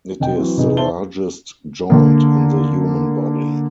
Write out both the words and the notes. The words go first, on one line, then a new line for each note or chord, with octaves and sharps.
It is the largest joint in the human body.
F1 D#5 G5
E3 F#3 C4
C3 B3 D#4 G#4
D#3 C5 E5 A5 G7
D3 A#3